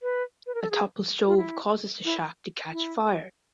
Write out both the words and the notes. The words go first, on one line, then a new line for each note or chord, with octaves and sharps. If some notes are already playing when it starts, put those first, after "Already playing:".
A toppled stove causes the shack to catch fire.
B4
B4
A#4
A4
G#4
F4
E4
E4
E4